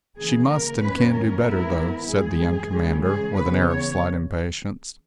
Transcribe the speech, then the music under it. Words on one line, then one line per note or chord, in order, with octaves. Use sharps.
"She must and can do better, though," said the young commander, with an air of slight impatience.
C#3 E3 A#3 G#4
A#4
F#2 D#3 A#3 C#4 B4
A#4
G#2 E3 B3 E4
F#2 E3 G#3 G#4
C#3 E3 G#3
G#4
C#3 E3 B3 B4
C#5